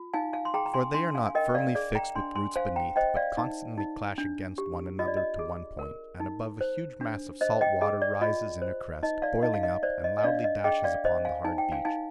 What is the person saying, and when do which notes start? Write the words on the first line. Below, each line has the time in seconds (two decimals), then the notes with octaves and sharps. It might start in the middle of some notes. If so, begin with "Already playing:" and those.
For they are not firmly fixed with roots beneath, but constantly clash against one another to one point, and above a huge mass of salt water rises in a crest, boiling up, and loudly dashes upon the hard beach.
Already playing: F4
0.14 D#4 F5 G#5
0.33 F5 G#5
0.45 C6
0.54 G#4 G5 A#5
0.66 A#5
0.74 G#5 C6
0.94 D4 G#5 C6
1.15 F5 G#5
1.26 G#5
1.35 A#4 D#5 G5
1.55 D5 F5
1.75 G#4 D5
1.95 G5 A#5
2.15 D4 G#5 C6
2.35 G#5 C6
2.56 C5 F5 G#5
2.76 G5 A#5
2.96 C5 D#5 G5
3.16 D5 F5
3.37 D#4
3.78 D#4
4.18 D4
4.58 G4
4.99 F4 D#5
5.08 D5
5.17 D#5
5.39 G#4
5.79 A#4
6.20 D#4
6.61 C5
7.01 D4
7.41 C5 D#5
7.61 D#5 G5
7.81 G#4 D#5
8.02 D5
8.21 F4 D#5
8.62 C5
9.03 D#4 D#5
9.22 D5 F5
9.43 D#4 D#5
9.54 F5
9.63 D#5
9.83 C5 D5
10.04 D#5
10.18 D#5
10.23 D4 D5 F5
10.44 D#5
10.64 G#4 D#5 G5
10.84 D5 F5
11.05 C5 D#5
11.25 F5 G#5
11.45 D#4 G#5
11.58 G5
11.72 F5 G#5
11.85 D#4 F5 G#5